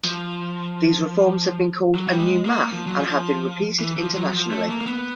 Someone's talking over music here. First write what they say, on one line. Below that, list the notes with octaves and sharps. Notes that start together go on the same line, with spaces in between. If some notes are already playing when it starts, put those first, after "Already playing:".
These reforms have been called a new math and have been repeated internationally.
F3
F#3
G3
G#3
A#3
F3
F#3
F3
E3
F3
F#3
F3
A3
A#3
A#3
B3